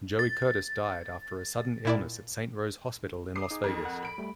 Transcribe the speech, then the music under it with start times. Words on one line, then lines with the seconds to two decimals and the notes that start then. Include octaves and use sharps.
Joey Curtis died after a sudden illness at Saint Rose Hospital in Las Vegas.
0.19 A6
1.85 A#2 E4 D5
3.36 D6 D#6 C7
3.51 D#4 G#4
3.64 F2 A#4
3.85 F#5
4.03 B5 D7
4.18 G3 A3